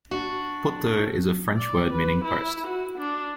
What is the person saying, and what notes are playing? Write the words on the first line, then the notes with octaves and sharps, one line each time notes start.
"Poteau" is a French word meaning post.
D4 F#4
D5
B4
E4
F#4
D4